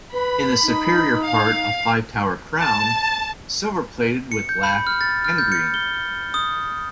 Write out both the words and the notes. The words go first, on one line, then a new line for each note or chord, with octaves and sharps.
In the superior part a five tower crown, silverplated with black and green.
B4 B5
D#4
F5
A5
C#7
G6
B5
F6
A6
F6
G6
C#7
G7
D#6